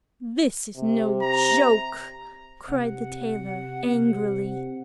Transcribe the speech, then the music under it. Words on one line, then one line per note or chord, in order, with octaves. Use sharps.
"This is no joke," cried the tailor, angrily.
C3
A#5
C3 F#5
C3